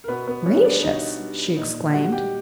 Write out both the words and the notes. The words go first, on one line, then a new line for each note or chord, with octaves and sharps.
"Gracious!" she exclaimed.
A#4
B2 B3 B4
B3 B4
G3 C#4 C#5
D4 D5
B2 D#4 D#5
G3
A#2 D#4 D#5
G3 F#4 F#5
G4 G5